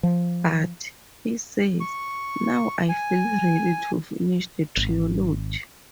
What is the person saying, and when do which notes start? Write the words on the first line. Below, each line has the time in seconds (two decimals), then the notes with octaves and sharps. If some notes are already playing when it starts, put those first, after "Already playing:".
"But", he says, "now I feel ready to finish the trilogy".
0.03 F3
1.80 C#6
2.89 G#5
4.77 G#1